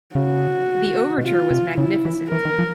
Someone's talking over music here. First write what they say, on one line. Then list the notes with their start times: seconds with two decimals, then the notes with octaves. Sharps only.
The overture was magnificent.
0.15 C#3 F#4
1.18 B2
1.23 C3 F4
1.51 C3
1.78 C#3 E4
2.05 E3
2.32 E3 A#4
2.45 D#3
2.59 F3